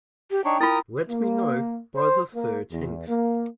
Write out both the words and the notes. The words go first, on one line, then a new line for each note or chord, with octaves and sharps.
Let me know by the thirteenth.
G4
D4 D#4 C#5 G5
E4 F4 A#4 D#6
A#3
C5
A#3
E2
A#3